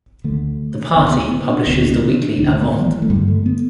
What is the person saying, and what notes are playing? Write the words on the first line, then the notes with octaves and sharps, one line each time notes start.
The Party publishes the weekly Avante!
D2 D3 A3
D2 D3 B3
B3
B3
D4
D2 D3 B3
D4
B3
D4
D2 D3 D4
A3
B3
G3
E3
A3
G2 D3 G3
A3
B3